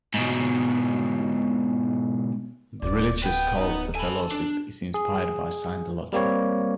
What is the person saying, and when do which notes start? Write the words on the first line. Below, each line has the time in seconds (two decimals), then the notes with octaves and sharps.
The religious cult the Fellowship is inspired by Scientology.
0.14 G#2 B2
2.82 D1 D5
3.24 B3 B4 G5
3.59 D#4
3.95 A4 G#5 B5
4.32 D4
4.94 G#4
6.13 G3 A#3 C4 C#5